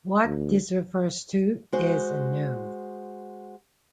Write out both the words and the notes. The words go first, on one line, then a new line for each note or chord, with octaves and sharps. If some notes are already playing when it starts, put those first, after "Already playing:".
What this refers to is unknown.
D2
G#3 F#4 C5